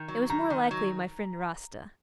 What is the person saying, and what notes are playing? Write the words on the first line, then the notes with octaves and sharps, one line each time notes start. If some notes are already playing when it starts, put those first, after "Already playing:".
It was more likely my friend Rasta.
Already playing: D#3
F#3
D#3 A#5
D#3
F#3